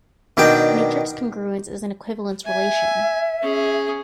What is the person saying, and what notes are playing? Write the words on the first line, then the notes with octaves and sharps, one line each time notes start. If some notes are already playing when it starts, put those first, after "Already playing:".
Matrix congruence is an equivalence relation.
B2 D#3 D4 G5
E5 G#5
C#4 G#4